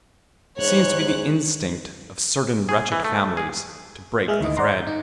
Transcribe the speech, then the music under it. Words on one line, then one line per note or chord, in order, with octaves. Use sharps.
It seems to be the instinct of certain wretched families to break the thread.
E2 G#2 C5 C#5 F#6
G#4
E3
A3
G#4
G#3 G#4 E5 F6
D2 D#3 E4 D#5
C5 D5 F#5 A#5 C6
G6
D#4